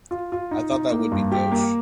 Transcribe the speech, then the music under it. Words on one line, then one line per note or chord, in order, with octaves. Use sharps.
I thought that would be gauche.
F4
F4
D#4
D#4
A#3
G2
G4
A#3